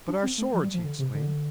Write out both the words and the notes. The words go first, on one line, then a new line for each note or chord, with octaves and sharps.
"But our swords!" he exclaimed.
D4
C4
A3
F3
G3
F3
D3
C3
D3